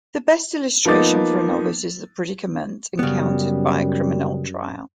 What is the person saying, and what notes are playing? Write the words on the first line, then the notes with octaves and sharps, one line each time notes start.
The best illustration for a novice is the predicament encountered by a criminal trial.
F3 A#3 B3 D#4 D6 A6
F#2 C#3 G3 B3